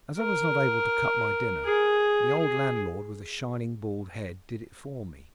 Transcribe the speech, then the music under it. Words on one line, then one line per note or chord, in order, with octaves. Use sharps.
As I was not able to cut my dinner, the old landlord with a shining bald head did it for me.
A#4
G#4
G#4